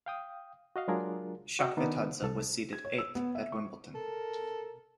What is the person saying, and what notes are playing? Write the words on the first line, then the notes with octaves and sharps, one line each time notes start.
Chakvetadze was seeded eighth at Wimbledon.
F5 G5 D#6
F#4 D#5 F5
F#3 G#3 D4 F4 G#4 A#4
F#4 D#5 F#5 G5
D#3 B3 D4 D#4
C2 A4
G#6
C#5
E6
B3
E5
C#6
A4 A#4